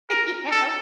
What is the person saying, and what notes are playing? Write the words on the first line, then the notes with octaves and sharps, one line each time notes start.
You know?
A#4
A4